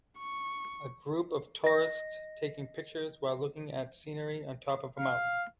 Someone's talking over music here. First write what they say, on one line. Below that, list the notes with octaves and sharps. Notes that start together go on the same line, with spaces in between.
A group of tourist taking pictures, while looking at scenery on top of a mountain.
C#6
D#5 A#6
F5